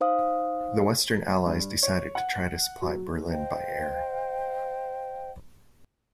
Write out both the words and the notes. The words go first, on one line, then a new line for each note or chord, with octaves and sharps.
The Western allies decided to try to supply Berlin by air.
D#4 C5 F5 D#6
G2
C#5
F#5
F#3
C5 D#5 F5 G5